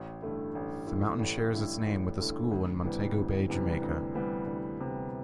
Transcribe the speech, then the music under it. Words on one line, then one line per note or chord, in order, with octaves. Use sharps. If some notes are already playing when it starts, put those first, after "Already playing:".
The Mountain shares its name with a school in Montego Bay, Jamaica.
Already playing: A1
G2 D3 A3 E4
A1
G2 D3 A3 E4
A1
G2 D3 A3 E4
A1
G2 D3 A3 E4
D2
C3 E3 G3 B3
D2
C3 E3 G3 B3
D2
C3 E3 G3 B3
D2
C3 E3 G3 B3